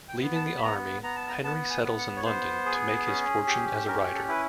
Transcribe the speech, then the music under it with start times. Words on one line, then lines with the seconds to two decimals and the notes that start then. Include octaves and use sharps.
Leaving the army, Henry settles in London to make his fortune as a writer.
0.08 G5
0.22 B3
0.35 A5
0.58 B5
0.62 B3 A#5
1.03 B3 A#5
1.16 A5
1.28 A#5
1.43 B3 A5
1.70 G#5
1.84 B3
1.98 F#5
2.17 C#5
2.25 B3 C5
2.66 G#4
3.06 C#4
3.47 G4
3.87 C#4 A#4
4.15 A4
4.28 E4 B4